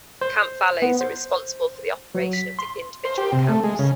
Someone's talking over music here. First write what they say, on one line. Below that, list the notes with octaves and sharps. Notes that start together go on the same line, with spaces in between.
Camp valets are responsible for the operation of the individual camps.
C5
B3
C5
F#3
B6
C6
C5
G4
C3
A3
G#3
C#3